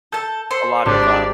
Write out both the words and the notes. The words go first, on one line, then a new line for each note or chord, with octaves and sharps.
a lot of uh,
A4 A5 G6
A4 C5 C6
G#1 D4 G4 D5